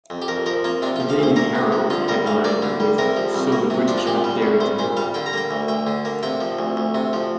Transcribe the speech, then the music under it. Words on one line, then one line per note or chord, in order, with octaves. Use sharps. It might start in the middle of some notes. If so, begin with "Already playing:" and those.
The "Daily Herald" headlined with "So the British Have Dared to Hit Back".
F2
G4
F2 A#4
F3 A#4
A#3 F4
C3 D4
F4
F3
F5
D2 C5
A#3 A#4
C3
F3
D3 F4
G3 A#4
D2 F5
A#3 D5
D3
G3
C3 A#4
F3
C2
A#3
C3
F3 D4
F4
A#2 G4
G3
C2
C2 C5
A#2 C5
G3 F5
D3 G5
A#5
A#3 G5
D2
D2 G5
D3
A#3
C3 G5
F3
D2
D2
C3
F3